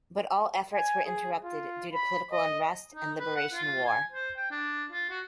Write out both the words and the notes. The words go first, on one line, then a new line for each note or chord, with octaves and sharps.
But all efforts were interrupted due to political unrest and liberation war.
G#5
G#4
F4
B5
D#5
D#4
B4
F#5
F4
G#5
C5
G5
D4
F4
F#4